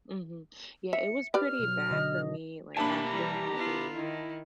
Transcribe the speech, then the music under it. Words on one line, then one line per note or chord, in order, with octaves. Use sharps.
Mhm. Yeah, it was pretty bad for me, like, after having
E5 C#7
G4 B4 D5 F6
B2 F#3
D3 D#5
A#3 D4 G4 E5 G#5 A5 B5
E3 G3 A#5
B3 E4 F4
D#3 E4